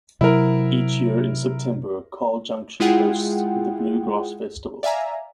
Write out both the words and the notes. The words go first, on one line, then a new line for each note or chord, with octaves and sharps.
Each year in September, Carl Junction hosts the Bluegrass Festival.
C3 F#3 E4 A#4
G#3 E4 F4 G#4 F#5 G5
D5 E5 F5 G#5 A#5